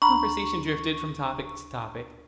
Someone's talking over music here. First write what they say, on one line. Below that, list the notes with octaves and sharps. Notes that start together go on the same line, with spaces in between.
The conversation drifted from topic to topic.
D2 A#5 B5 C#6